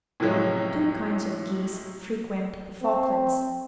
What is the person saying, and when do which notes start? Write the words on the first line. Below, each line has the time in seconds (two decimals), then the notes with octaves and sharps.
Two kinds of geese frequent the Falklands.
0.20 A2 C3 F3 F#3 G#3 C#4
2.82 C4